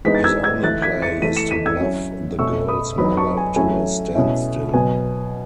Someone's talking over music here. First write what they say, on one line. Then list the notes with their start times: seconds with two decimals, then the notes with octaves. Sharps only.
His only play is to bluff the girl's mother to a standstill.
0.05 E3 G#3 B3 D#4 B6
0.15 A6
0.24 E6 G#6
0.43 E6 G#6
0.63 E3 A3 E4 F#6 A6
0.82 G#6 B6
1.02 A6 C#7
1.22 E3 A3 E4 B6 D#7
1.37 C#7 E7
1.51 B6 D#7
1.66 E6 G#6
1.80 F#3 C#4 E4
2.39 B2 A3 C#4 C#6 E6
2.68 B5 D#6
2.98 F#3 B3 D#4 B5 D#6
3.17 A5 C#6
3.37 G#5
3.56 F#3 A3 C#4 E4 G#5
4.15 B2 A3 C#4 E4
4.74 B2 F#3 B3 G#5